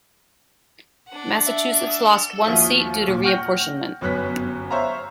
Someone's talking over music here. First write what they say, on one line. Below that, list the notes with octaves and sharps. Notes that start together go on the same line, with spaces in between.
Massachusetts lost one seat due to reapportionment.
D4 F#5
E5
D#2 F3 F#4 E5 G7
A#2
F#5 G5 C#6 F6 G6 A#6
G1 F#2 F#3 B3 F#6 B6
C5 C#5 E5 F5 A#5